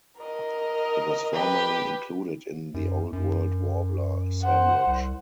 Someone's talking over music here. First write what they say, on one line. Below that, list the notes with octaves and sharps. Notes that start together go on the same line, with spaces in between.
It was formerly included in the "Old World warbler" assemblage.
A#4 D#5
G4 B4
F#2
F#2
C5 F#5
C2